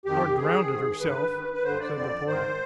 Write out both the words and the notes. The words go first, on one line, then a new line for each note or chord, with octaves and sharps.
"Or drownded herself," said the porter.
F2 D#3 G4
G#2 D#3 G#4
G#2 D#3
G2 D3 B4
G2 D#3
B4
G2 D3 C5
D5
F2 D3 D5
G#2 D#3 C5